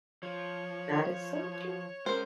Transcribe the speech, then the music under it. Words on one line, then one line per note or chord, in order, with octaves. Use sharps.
That is so true.
F3 C#5
G#3 C#4 A#4 C5